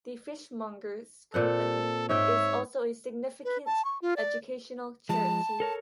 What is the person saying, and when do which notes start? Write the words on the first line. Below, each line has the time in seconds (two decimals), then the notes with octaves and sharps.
The Fishmongers' Company is also a significant educational charity.
1.34 A#2 C4 A4 F#5
2.09 G#2 C#5 E5 G5
3.45 B4
3.66 A5
3.85 C#6
4.02 F4
4.16 D5
5.09 F3 G#3 A5
5.60 A4 A#4 C#5